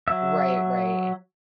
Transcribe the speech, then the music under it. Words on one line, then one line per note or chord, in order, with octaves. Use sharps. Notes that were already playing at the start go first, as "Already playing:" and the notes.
Right, right.
F#3 E5